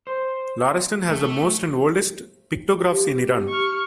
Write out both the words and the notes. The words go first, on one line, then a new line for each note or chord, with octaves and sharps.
Lorestan has the most and oldest pictographs in Iran.
C5
A3
G4
C#6 F6